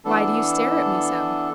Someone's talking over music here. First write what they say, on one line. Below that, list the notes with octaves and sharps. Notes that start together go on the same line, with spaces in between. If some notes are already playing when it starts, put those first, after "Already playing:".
'Why do you stare at me so?
E3 B3 D4 A4